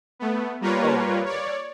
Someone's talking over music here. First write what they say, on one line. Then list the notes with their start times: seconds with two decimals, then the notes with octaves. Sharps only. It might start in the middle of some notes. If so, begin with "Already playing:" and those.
Oh, there okay, got it.
0.19 A3 B3
0.61 G3 A#3 F4 A#4 B4 C#5
1.26 C#5 D5